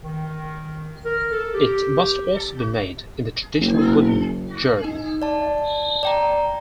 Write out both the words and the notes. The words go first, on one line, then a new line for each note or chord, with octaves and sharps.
It must also be made in the traditional wooden 'gerle'.
D#3
A#4
A4
G4
F#1
D#4
D5 A5
D5 G5 A#5